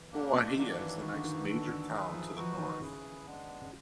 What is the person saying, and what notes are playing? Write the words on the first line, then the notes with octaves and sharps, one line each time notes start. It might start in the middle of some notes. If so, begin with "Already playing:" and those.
Umuahia is the next major town to the north.
Already playing: E3
A#3 D4 G4
D#3 F#3 A#3 D4 G4
E3
D#3 A#3 D#4 F#4 B4
D3
D#3
E3
D3 D4 F#4 A4
D3
D#3 D#4 G#4 B4 E5
F3
E3 D#4 F#4 B4
D#3
C#3 E4 G#4 B4
G#3 B3 D4
C#3